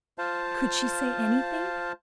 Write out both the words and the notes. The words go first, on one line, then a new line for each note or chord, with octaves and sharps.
Could she say anything?
F4 C5 F5 A5